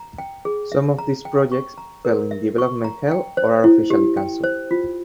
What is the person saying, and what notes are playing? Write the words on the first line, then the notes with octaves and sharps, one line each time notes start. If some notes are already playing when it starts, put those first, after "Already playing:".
Some of these projects fell in "development hell" or are officially canceled.
Already playing: A#5
G5
G#4
E5
A#5
G5
C#6
A#5
A#4
E5
C#6
A#5
G5
C5
E4
G4
G5
C5
F4